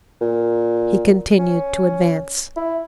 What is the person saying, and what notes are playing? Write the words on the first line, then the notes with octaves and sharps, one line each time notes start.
He continued to advance.
A#2
C#4
E4